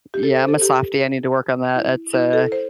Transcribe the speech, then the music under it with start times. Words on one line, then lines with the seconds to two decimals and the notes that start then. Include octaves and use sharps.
Yeah, I'm a softy, I need to work on that, it's, uh,
0.14 G4
0.23 A4
0.36 C5
0.48 A4
0.61 G4
1.76 E4
2.13 E4
2.33 A4
2.52 C5